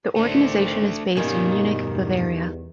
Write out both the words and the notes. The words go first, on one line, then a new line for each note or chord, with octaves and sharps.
The organization is based in Munich, Bavaria.
A1 D#3 A3 D4 C5
G2 B2 D#3 G3 A#3 C#4 D#4 G#5
E2